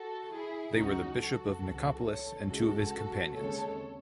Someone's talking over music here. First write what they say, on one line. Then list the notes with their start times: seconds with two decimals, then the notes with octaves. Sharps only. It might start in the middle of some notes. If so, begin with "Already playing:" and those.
They were the bishop of Nicopolis and two of his companions.
Already playing: F#4 A4
0.32 E4 G#4
0.76 C#2 C#3 F#3 C#4 D#4 F#4
1.18 F#4 A4
1.62 C#2 C#3 E3
2.04 A4 C#5
2.47 C#2 C#3 G#3 C#4 F#4 A4
3.33 D#2 C#3 G#3 C4 A4 C#5